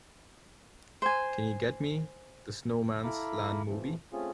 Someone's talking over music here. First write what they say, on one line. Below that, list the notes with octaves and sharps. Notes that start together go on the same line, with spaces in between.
Can you get me the Snowman's Land movie?
C5 G#5
E4 A4 F5 A#5 B5 D6
C3 E3 F3 A3
A3 C4 C#4 F4 G#4